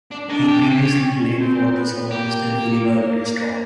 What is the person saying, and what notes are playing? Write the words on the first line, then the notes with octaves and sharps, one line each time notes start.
He previously played for the Southwestern Illinois Blue Storm.
D4
D4 D#4
G#4
G4
C#4
C4
B3
A#3 G4